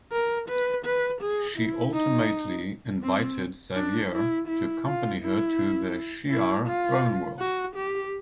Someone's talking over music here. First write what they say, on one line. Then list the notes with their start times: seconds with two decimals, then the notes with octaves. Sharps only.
She ultimately invited Xavier to accompany her to the Shi'ar throne-world.
0.12 A#4
0.49 B4
0.85 B4
1.21 G#4
1.57 E4
1.94 D#4
3.03 C4
3.76 D4
4.13 E4
4.48 E4
4.86 F4
5.21 E4
6.30 E4
6.67 F4
7.39 F#4
7.76 G4